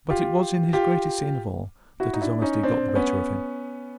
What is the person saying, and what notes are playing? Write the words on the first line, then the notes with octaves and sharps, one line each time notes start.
But it was in his greatest scene of all, that his honesty got the better of him.
F4 G4
F4 G4
E4 F#4
D#4
D4 E4
C#4 D#4
C4 D4
C4
B3 C#4